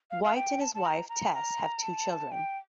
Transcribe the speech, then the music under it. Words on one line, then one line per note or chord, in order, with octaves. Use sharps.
White and his wife, Tess, have two children.
F5
F5
G5
A5
A5
A#5
A#5
A#5
A5
G5